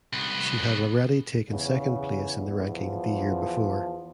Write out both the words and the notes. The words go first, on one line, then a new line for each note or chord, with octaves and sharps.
She had already taken second place in the ranking the year before.
C2 B3
E2 C#3
F3